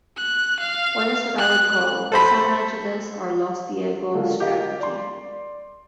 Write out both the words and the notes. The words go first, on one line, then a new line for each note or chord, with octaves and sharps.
One is what I would call the San Angeles or Los Diego strategy.
F#6
F5
F#6
A4 C5 B5
D3 G#3 F4 F#4 A4 A#4
F4 G4 A#4 D#5 F5
D5 C6